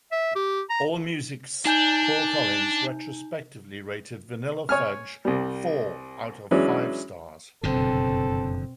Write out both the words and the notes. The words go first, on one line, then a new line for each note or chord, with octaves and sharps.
Allmusic's Paul Collins retrospectively rated "Vanilla Fudge" four out of five stars.
E5
G4
A#5
D4 D#4 G#5 G6
C#5 G#5 F6
C2 G3
E3 F#3 G#3 C#4 D4
F#1 F2 B2 D3 C4 A4